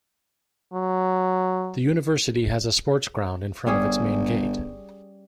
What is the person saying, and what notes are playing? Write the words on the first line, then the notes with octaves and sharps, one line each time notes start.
The university has a sports ground in front of its main gate.
F#3
G1 G3 C#4 G#4